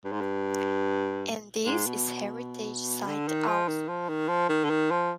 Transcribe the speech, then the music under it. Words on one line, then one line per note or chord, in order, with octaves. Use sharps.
And this is heritage site also.
G2
G#2
G2
G#2
B2
D3
D#3
F3
D#3
F3
D#3
F3
D#3
D3
D#3
F3